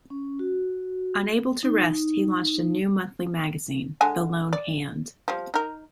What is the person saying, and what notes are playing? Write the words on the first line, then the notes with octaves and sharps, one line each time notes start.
Unable to rest, he launched a new monthly magazine, "The Lone Hand".
C#4
F#4
D#4
D3 G#3 G#5
D5
F3 G3
D#4 A#4